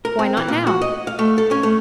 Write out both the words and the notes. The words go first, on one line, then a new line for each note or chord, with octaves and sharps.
Why not now?
A#4
C4
E3
A#2
F#4
D#5
F5
A3
A4
C#4
A3